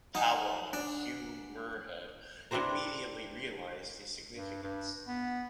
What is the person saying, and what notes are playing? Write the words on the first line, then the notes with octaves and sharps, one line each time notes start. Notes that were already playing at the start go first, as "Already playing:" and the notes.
Powell and Hugh Muirhead immediately realised the significance.
D#4 F#5 G#5
D4
D4 E4 G4 C5 A#5
G2
G2
B3